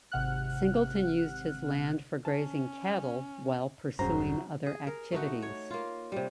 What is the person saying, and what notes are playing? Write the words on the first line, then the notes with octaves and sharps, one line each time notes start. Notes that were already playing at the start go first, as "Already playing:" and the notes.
Singleton used his land for grazing cattle while pursuing other activities.
G#1 C3 F#5 F6 F#6
C#4 A5
E1 G2 C#3 F#3 C5 A#5
G#4
A#4
A3 D#4 F#4
C#5
A#3 F4
C3 G3